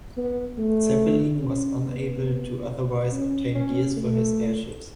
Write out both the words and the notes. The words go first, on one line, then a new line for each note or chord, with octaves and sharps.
Zeppelin was unable to otherwise obtain gears for his airships.
B3
A3
C#4
B3
C#4
C#4
A3